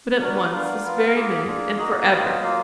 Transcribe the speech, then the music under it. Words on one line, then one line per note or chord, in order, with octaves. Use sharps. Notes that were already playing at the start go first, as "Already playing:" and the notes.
But, at once, this very minute, and for ever.
F#3 D4 F#4 A#4
B4
B3 D4 F4 A#4
B3 F4
A#4
A#3 F4 G#4
A#3 D4 F4
A#3 D#4 F#4 D#5
F#3 B3 F4
F#3 A#3 F4 F5